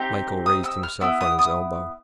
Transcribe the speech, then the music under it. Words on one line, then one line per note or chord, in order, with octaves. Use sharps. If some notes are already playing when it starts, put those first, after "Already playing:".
Michael raised himself on his elbow.
Already playing: C4 D#4 G4
D#6
E6
F6
B3 E4 E6
D#6
D#6